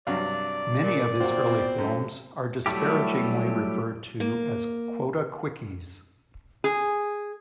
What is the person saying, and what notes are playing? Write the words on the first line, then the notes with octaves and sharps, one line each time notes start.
Many of his early films are disparagingly referred to as "quota quickies".
G2 C3 F#3 D5 F5
A#2
A#2 C4 F4 F#4
B2
F#2 A3
F#3 G3 A3 E4 G4
A#3
G#4